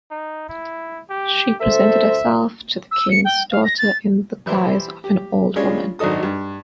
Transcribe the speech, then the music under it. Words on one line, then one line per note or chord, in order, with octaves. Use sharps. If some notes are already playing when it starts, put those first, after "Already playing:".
She presented herself to the king's daughters in the guise of an old woman.
D#4
E4
G4
D2 A4 C5 E5
E6
C#7
G5
F5
A#6
A6
E3 G3 E4 G4 C5
G4
G3 G#3 C#4 D4 F4 C#5
G#1 F#2 D4 D#4 A4 D#6
G2